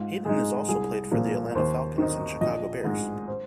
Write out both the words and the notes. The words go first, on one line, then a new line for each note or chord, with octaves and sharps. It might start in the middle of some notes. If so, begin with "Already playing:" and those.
Hayden has also played for the Atlanta Falcons and Chicago Bears.
Already playing: G#2 F4
G#3 D#4 G#4
C2 G#4
A#2 F3
D#2 C5
D#3 C4 D#4
A#1 D#5
G#2 G#3
C5